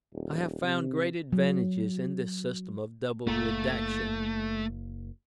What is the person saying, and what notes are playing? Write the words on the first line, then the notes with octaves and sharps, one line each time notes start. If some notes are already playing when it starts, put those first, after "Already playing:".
I have found great advantages in this system of double redaction.
D#1
C3
F#3
F#1 A3 A#3